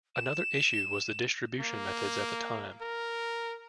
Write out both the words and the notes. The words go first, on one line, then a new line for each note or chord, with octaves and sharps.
Another issue was the distribution methods at the time.
E7
A#3
A#4